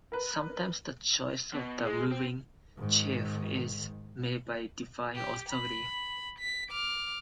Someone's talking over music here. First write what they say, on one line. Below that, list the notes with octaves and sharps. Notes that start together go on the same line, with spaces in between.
Sometimes the choice of the ruling chief is made by divine authority.
A#4 B4
B2
G#3
C4
G#2 D#3
G4
B5
B6
D6 F6